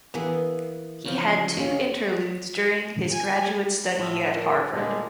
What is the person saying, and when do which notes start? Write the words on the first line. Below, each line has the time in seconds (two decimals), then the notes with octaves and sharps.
He had two interludes during his graduate study at Harvard.
0.14 E3 A#3 B3 G#4
1.05 C#3 F3
1.56 D#2 C#4
3.12 G#5
3.98 A2 F3 E5
4.34 A#4
4.73 A#2 D3 G3 G#3